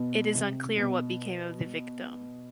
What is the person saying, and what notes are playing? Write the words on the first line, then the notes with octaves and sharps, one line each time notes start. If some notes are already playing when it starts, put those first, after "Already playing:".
It is unclear what became of the victim.
Already playing: B2
C3
B2